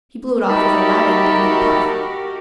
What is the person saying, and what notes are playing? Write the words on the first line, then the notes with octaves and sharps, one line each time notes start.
He blew it off with a loud, indignant puff.
D#4 F#4 G4 A#4 E5 A5 B5